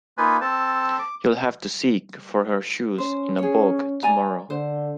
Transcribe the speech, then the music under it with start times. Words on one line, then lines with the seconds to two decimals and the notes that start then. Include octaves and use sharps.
You’ll have to seek for her shoes in the bog tomorrow.
0.18 A#3 D#4 F4 B4 G#5
0.41 C4 A4 A5
0.99 D6
2.98 C#4 C5
3.38 G#4 C#5
4.03 D5 G#5 A#5
4.50 D3 C5